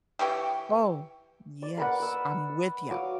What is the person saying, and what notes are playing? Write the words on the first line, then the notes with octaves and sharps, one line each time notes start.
Oh, yes, I'm with ya.
E3 G4 C#5 G5
D5
A#4 B4 F#5
B4 E6
F#3 F5 D6 D#6